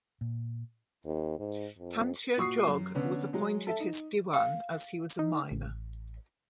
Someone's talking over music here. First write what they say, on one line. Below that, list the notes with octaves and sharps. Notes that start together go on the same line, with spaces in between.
Tantia Jog was appointed his Diwan as he was a minor.
A#2
D#2
G#2
F2
A#2 F#4 C#6 D#6 C7
F#2
D3 B3 C#4
F#3 G#3
A4 E5
D#4
F5
D#4
A1